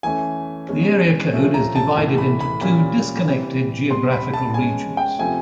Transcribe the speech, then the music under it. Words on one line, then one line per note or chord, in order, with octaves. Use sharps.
This area code is divided into two disconnected geographical regions.
E3 A3 C#4 G#5
B2 G#3 C#4
F3 A3 C#4
A#5
A5
A2 E3 A3
B5
B5
A#2 G3 A#3 C#4 B5
E3 G3 C4
B2 G3 C4 C6
B5
A5
B2 G#3 C#4 G#5
G5
C3 F3 A3 G#5